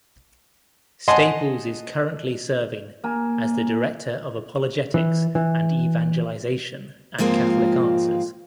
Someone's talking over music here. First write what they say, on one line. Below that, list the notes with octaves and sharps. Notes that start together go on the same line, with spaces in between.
Staples is currently serving as the Director of Apologetics and Evangelization at Catholic Answers.
D#5 F#5 G#5 A5 C6
A#3 G#5
E3
E3
G#2 F3 G#3 A#3 C4 F4